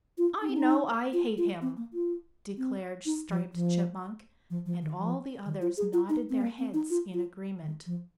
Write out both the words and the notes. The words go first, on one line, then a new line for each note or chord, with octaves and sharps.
"I know I hate him!" declared Striped Chipmunk, and all the others nodded their heads in agreement.
F4
D#4
C4
D#4
F4
F4
C4
A#3
F4
C4
D#4
F3
F3
F3
F3
D#3
F3
D#3
F4
G#4
F4
D#4
C4
A#3
C4
D#4
F4
F4
D#3
F3